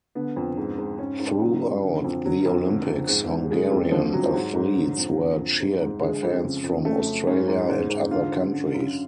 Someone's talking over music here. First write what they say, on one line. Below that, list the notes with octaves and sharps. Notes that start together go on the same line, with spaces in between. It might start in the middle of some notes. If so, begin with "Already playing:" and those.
Throughout the Olympics, Hungarian athletes were cheered by fans from Australia and other countries.
D3 B3
F2
G#2
G#2
G#2 C#4
G#2
C#3 F#3
F#2
D3
F2
D3 F#3
F2
D3
F2
G#2
G#2
C#3 G#3
F2
D3 F3
F2 F#3
F3
G#2 F#3
G#2
D3
F2
D3
F2
G#2
G#2
D3 G#3
F2
C#3
F2
C#3 A3
F#2
G#2 C#4
G#2
G#2
G#2
D3 F4
F#2
D3
F#2